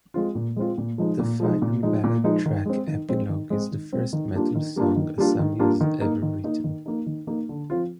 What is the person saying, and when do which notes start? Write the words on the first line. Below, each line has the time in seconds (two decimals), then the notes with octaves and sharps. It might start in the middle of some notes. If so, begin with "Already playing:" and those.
The final ballad track "Epilogue" is the first metal song Asami has ever written.
0.14 G#3 C4 F4
0.35 A#2
0.56 G#3 C4 F4
0.78 A#2
0.98 F3 G#3 D#4
1.19 A#2
1.40 F3 G#3 D#4
1.62 A#2
1.83 F3 G#3 D#4
2.04 A#2
2.24 F3 G#3 D#4
2.46 D#3
2.66 G#3 C4
2.87 D#3
3.09 G#3 C4
3.29 D#3
3.50 G#3 C4
3.72 D#3
3.93 G#3 C4
4.13 D#3
4.35 G3 A#3 D4 F4
4.55 D#3
4.76 G3 A#3 D4 F4
4.96 D#3
5.18 G3 A#3 D4 F4
5.39 D#3
5.59 G3 A#3 D4 F4
5.81 D#3
6.01 A#3 D#4
6.22 D#3
6.44 A#3 D#4
6.64 D#3
6.86 A#3 D#4
7.06 D#3
7.27 A#3 D#4
7.49 D3
7.70 F3 C4 F4